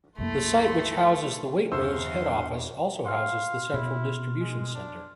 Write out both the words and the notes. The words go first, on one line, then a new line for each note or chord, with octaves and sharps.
The site which houses the Waitrose head office also houses the central distribution centre.
C2 F#2 A3 A#3 E4 C6
G1 E2 C5 F5 F#5 C6 E6
F5 C6 F6
B2 E4
G#3
D4